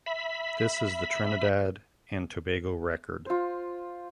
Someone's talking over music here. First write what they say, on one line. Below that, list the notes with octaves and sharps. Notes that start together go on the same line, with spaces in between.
This is the Trinidad and Tobago record.
E5 B5
F4 C5